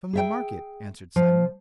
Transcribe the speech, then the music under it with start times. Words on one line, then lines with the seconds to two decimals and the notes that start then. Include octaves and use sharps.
'From the market,' answered Simon.
0.13 G#4 E5 G5
1.16 F3